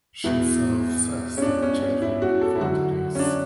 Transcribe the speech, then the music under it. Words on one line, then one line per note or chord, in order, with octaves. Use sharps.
She serves as the chairwoman for the race.
E2 B2 E4
C#4
D4
C#4
C#4
E4
F#4
A4
E4
F#2 D3 F#4
C#4
D4